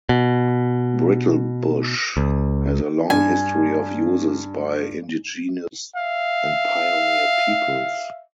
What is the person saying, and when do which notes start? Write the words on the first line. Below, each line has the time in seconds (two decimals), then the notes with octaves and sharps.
Brittlebush has a long history of uses by indigenous and pioneer peoples.
0.09 B2
2.17 C#2
3.10 G2 G#5
5.94 E5 F5